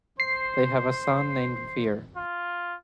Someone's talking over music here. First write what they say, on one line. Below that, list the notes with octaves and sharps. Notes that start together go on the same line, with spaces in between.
They have a son named Veer.
C5 C7
F4